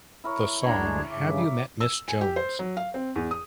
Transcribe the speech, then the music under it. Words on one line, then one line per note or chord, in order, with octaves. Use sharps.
The song Have You Met Miss Jones?
E4 A#4 C#5
D2 G#3 D4 A#5 G#6
G2 C#3 E5 D6
E6
G#5
G4
C5
F#3
F5
C4
E2
D#6